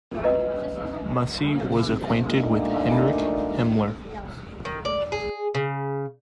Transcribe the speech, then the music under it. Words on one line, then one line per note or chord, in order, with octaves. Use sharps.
Musy was acquainted with Heinrich Himmler.
B4 D#5
A#2 A3 A#3 D4 D#4
D#3
D5
G#4
C#3